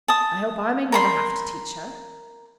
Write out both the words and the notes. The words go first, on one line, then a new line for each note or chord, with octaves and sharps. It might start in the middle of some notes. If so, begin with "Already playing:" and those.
"I hope I may never have to teach her."
A5 D#6
A#4 B5 C6